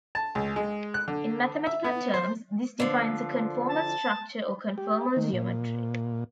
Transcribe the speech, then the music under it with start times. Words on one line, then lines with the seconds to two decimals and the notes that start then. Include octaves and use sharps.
In mathematical terms, this defines a conformal structure or conformal geometry.
0.15 A5
0.35 C#2
0.56 G#3
0.94 F#6
1.08 D3
1.67 E5
1.84 B3
2.14 C5
2.80 D3 F3
3.69 A5
4.78 G4
5.17 D#3
5.33 A#2